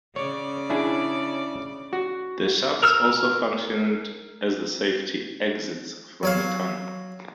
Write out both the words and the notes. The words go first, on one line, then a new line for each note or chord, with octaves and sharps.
The shafts also functioned as the safety exits from the tunnel.
C#3 C#5 D5
D4 E4 G#4
F#4
A#4 E6 F6
F#3 C#5 F5